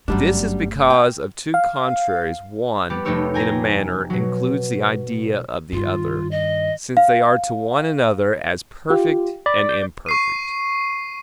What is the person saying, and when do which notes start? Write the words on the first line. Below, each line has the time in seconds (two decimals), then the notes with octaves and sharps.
This is because of two contraries one, in a manner, includes the idea of the other, since they are to one another as perfect and imperfect.
0.08 G1 F#2 G3 A3 D4
0.90 G5
1.54 F5
2.90 G3 B3 G4
3.05 F1 A3 D#4 G4 C#5 E6
3.34 G5 G#5 A#5
4.10 B2 F#3
5.72 G2 D#3 F4
6.31 D#5
6.97 F5
8.90 F4 G4
9.46 D5 B5
9.69 D6 G6
10.06 C#6 C7 D#7